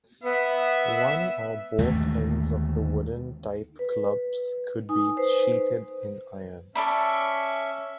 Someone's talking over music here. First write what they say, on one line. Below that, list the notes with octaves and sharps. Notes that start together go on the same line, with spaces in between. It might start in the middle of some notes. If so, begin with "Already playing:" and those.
One or both ends of the wooden type clubs could be sheathed in iron.
B3 E5
D#2 D3 G#3 A3
B4
D#4 G#5 D#6
B4 C5
C#4 A4 D5 E5 B5 C#6